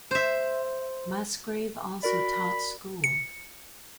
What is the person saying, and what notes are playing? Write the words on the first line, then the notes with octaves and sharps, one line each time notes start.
Musgrave also taught school.
C5 E5
F#4 A#4 D5 B5
C#7